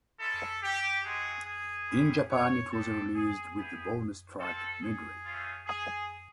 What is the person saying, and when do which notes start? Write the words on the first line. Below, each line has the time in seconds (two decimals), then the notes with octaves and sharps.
In Japan, it was released with the bonus track "Medrey".
0.19 G#3 C#4 E4 A4
0.62 G4
1.04 G#3 C4 D#4 F#4 G#4
1.46 G#4
1.88 G#3 C#4 E4 G4
2.30 C#5
2.72 G#3 B3 D4 G4 A4
3.14 G#4
3.56 B3 E4 G4 G#4
4.40 C4 F4 A4
4.82 G#4
5.24 A3 C#4 F4
5.67 G#4